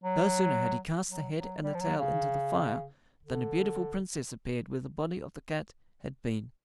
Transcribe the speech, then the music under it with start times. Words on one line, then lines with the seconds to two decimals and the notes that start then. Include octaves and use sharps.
No sooner had he cast the head and the tail into the fire than a beautiful Princess appeared where the body of the cat had been.
0.03 F#3
1.10 F#3
1.37 F#3
1.63 G3
1.74 F3
1.81 F#3
1.99 C#3
3.23 D3